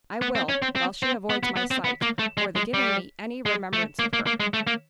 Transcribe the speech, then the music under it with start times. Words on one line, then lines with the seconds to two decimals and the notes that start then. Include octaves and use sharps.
I will, while she avoids my sight, or the giving me any remembrance of her.
0.22 B3
0.35 C4
0.49 C#4
0.62 C4
0.76 C4
1.03 C4
1.30 B3
1.43 B3
1.57 B3
1.71 C4
1.84 B3
2.02 A#3
2.19 A3
2.37 G#3
2.56 G#3
2.74 G3
3.46 G#3
3.73 A3
3.99 A#3
4.13 A#3
4.27 A#3
4.40 G#3
4.54 A3
4.67 A#3